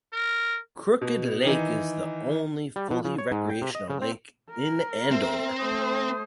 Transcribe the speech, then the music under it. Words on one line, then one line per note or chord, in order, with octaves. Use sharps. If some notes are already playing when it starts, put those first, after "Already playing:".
Crooked Lake is the only fully recreational lake in Andover.
A#4
B2
D#3 E3 D#4
G3
B2
C#3
C#5
G#2
G5
C3
D#5
C#3
C4
A#4
C4 E5
A3 C5 D#6